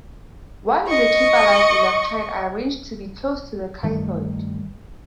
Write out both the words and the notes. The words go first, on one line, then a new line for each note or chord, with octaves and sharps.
One is a keep-alive electrode, arranged to be close to the cathode.
D#5 C#6
G2 D#3 G3 A3